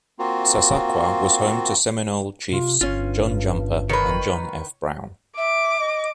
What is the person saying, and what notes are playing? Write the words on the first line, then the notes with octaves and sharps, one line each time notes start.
Sasakwa was home to Seminole Chiefs John Jumper and John F. Brown.
A#3 C4 F4 F#4
C3 F4
G1 G2 C#4 F4
D#3 B4 C#5
E5 D6
D#5